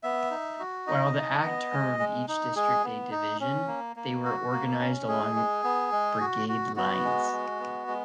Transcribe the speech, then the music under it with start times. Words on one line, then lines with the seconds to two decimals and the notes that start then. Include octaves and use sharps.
While the act termed each district a "division", they were organized along brigade lines.
0.03 B3 E5
0.31 D#4
0.59 F#4
0.87 D#4 D#5
1.15 D#4
1.43 B3
1.71 G#3
1.99 G#3
2.28 D#4
2.56 G#3 G#4
2.84 B3
3.11 D#4
3.40 C#4
3.67 A#3
3.96 A#3
4.24 F#4
4.52 A#3
4.80 C#4
5.08 G#3 G#4
5.35 G#3
5.64 B3
5.92 G#3
6.21 F#4
6.49 F#4
6.76 B3 F#4
7.04 G#3
7.32 G#3
7.60 B3
7.88 G#3